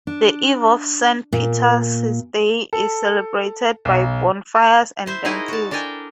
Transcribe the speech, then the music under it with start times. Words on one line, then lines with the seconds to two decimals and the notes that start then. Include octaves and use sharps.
The Eve of St. Peter's Day is celebrated by bonfires and dances.
0.07 D4
1.33 A#2
2.73 A4
3.85 B1
5.06 E4 C5 E5
5.25 D#4 E4 F#4 G#4 A#4 D#5
5.48 F#4 A5
5.71 D4 A4 A#4 G5 G#5